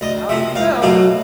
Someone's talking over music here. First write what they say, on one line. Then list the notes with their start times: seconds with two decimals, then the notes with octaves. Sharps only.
'Down you go!
0.01 D2 D#5
0.29 C3 F3 E5
0.55 C#2 F5
0.82 B2 F#3 A3 F5